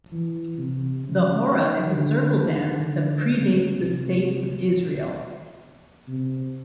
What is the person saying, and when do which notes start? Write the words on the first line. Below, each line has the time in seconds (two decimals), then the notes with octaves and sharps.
The Horah is a circle dance that predates the State of Israel.
0.12 E3
0.58 C3
1.04 C#3
1.50 D#3
1.95 D3
2.41 D#3
2.87 D3
3.33 C#3
3.79 C3
6.08 C3